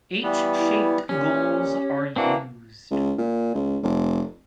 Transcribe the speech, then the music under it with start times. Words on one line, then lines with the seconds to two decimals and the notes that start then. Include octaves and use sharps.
H-shaped goals are used.
0.23 E3 G3 B3
0.55 E4
1.09 A#2 C#4 G4
2.16 E3 A#3 C4 D4 F#4
2.91 C#2
3.18 A#2
3.55 C#2
3.83 F1